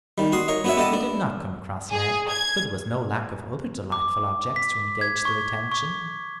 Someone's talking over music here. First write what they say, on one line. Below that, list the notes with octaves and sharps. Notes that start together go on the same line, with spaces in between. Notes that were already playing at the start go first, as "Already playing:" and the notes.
They did not come across Ned, but there was no lack of other delightful objects to engage their attention.
D#3 G3
F#4 C6 D#6
A#4 C#5 D#5
B3 D4 F#4 C#5 E5
B3 G4 A4 D#5 A5 D#6
D4
G#4
G#6
D6
B6
G#6
C#6
C#6